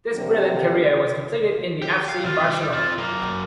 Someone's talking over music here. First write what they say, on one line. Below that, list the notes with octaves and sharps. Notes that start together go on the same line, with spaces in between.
This brilliant career was completed in the FC Barcelona.
C3 F#3 G3 A#3 D4
G4
F5
C2 F4
G3
C4 F4
F#2 A#3